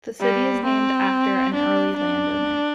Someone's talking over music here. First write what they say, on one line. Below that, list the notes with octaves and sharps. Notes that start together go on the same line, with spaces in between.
The city is named after an early landowner.
G3
C4
D4
D4